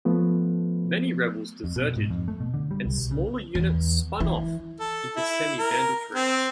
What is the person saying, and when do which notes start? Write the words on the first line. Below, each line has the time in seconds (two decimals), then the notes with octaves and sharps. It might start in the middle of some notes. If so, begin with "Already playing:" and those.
Many rebels deserted, and smaller units spun off into semi-banditry.
0.05 F3 A3 B3
1.64 F2
1.76 B2
1.96 G#2
2.10 F2
2.28 A3
2.40 B2
2.54 D3
2.71 G3
2.85 C2
2.98 B1
3.11 C#3
3.55 E2
4.20 E3
4.80 A4
5.17 E4
5.59 A#4
6.15 C4